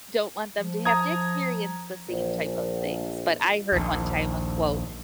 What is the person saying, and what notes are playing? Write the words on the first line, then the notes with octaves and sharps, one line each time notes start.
don't want them to have to experience the same type of things, but I heard, one time, a quote,
F3
A#5 D#6 G#6
A#1
A#1 D#2